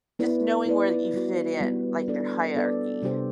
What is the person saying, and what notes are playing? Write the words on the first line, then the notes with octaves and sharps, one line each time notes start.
Just knowing where you fit in, like, their hierarchy.
B3 E4 B4 D5
B3 E4 B4 D5
G3 B3 F#4 B4
G3 B3 F#4 B4
B3 D4 A4 D5
B3 D4 A4 D5
C3 G3 D4 G4 C5